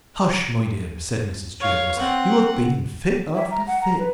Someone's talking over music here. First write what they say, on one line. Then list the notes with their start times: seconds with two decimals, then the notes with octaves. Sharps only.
Hush, my dear, said Mrs. Jervis; you have been in fit after fit.
1.60 C#5 F5
1.99 C4 F#5
3.34 E5
3.50 A#5
3.67 F#5
3.81 A#5
3.99 B4